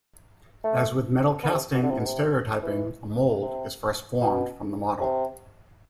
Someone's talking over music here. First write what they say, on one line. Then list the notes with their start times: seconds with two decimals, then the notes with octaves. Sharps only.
As with metal casting and stereotyping, a mold is first formed from the model.
0.64 A3
1.43 B3
1.48 D3
1.53 C3
1.73 B2
1.82 D3
1.90 C3
1.98 B2
2.05 C3
2.62 E3
3.42 C3
4.21 B2
5.01 C3